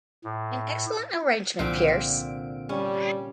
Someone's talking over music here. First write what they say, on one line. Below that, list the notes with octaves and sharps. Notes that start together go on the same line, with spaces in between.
An excellent arrangement, Pearce.
A2
C2 A#2 D3 F3 C4 D7
G3 C#4